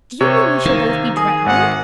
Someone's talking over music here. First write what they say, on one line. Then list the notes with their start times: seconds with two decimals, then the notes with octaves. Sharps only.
"Do you mean we shall both be drowned?"
0.21 C3 C#5
0.65 D#3 A#3
1.17 G#4 D#6
1.46 G#1 F#5